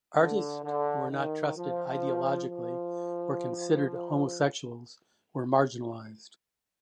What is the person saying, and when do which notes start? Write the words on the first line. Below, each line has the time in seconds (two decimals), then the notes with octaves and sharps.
Artists who were not trusted ideologically or considered homosexuals were marginalized.
0.17 D3
0.63 D3
1.10 D#3
1.56 F3
2.49 F3